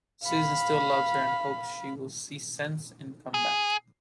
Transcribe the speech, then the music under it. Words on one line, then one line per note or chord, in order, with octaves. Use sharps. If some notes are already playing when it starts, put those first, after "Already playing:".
Susan still loves her and hopes she will see sense and come back.
F5 B5
G#4